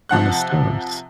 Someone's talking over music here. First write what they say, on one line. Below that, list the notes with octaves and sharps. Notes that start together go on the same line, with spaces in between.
on the stoves.
C3 F3 F#5 F#6